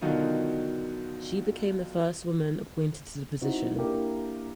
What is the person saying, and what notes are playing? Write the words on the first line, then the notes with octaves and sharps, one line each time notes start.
She became the first woman appointed to the position.
B2 D3 D#3 F#3 D#4 F4
C4 D#4 E4 F#4
A#3 D4 E4 G4 A#4